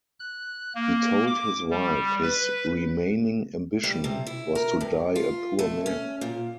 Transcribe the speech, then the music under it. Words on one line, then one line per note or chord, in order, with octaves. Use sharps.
He told his wife his remaining ambition was to die a poor man.
F#6
A#3
D6
G3
B4
G3
C3
E4
A#4
G2
F4
A3
C#4
A#2